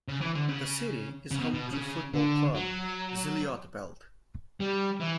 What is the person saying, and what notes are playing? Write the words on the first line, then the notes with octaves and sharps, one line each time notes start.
The city is home to football club Xilotepelt.
C#3
E3
D3
C#3
C#3
B2
B2
C#3
D3
F#3
G3
E3